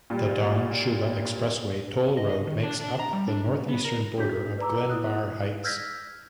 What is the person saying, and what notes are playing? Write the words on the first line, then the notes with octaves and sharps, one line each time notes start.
The Don Shula Expressway Toll Road makes up the northeastern border of Glenvar Heights.
A#2 G3
D#5
D#3
D4
D4
A#5
G3
D4
B2
B3
A#4
D4 F#4 G#4 D5 G6 B6
B4 D5 A5 A#5 D6 E6
E4 D#6 F#6
E6 F6 G6 G#6 A#6 B6